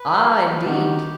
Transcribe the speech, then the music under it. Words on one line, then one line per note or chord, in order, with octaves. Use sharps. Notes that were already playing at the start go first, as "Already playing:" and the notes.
"Ah! indeed!"
Already playing: B4
A4
D#3 G3 D#4 F#4 G4